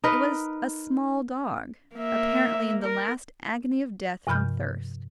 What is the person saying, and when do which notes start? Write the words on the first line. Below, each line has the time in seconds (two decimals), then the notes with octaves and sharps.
It was a small dog, apparently in the last agony of death from thirst.
0.04 D#4 A#4 B4
1.96 A#3 E5
2.83 A#4
4.27 G2 C3 F3 B5 F6 G6